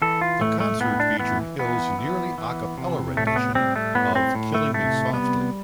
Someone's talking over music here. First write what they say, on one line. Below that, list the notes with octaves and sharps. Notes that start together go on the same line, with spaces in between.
The concert featured Hill's nearly a cappella rendition of "Killing Me Softly".
E3 A4
F4
A2 A3
A3
A2 B3
D4
E3 B3
E3 B3
E3
E3
C3
A2 A3
A3
B3
G3 C4
A3
A2 B3
C4
A2
A3
C3 A3
G3 B3